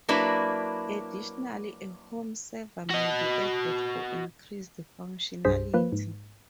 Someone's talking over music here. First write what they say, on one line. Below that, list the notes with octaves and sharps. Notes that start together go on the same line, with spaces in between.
Additionally, a home server may be added for increased functionality.
F#3 A#3 D4 E4 B4
F#4 D#5
C2 G2 G#4 C5 B6
F3 A#3 B4
G#2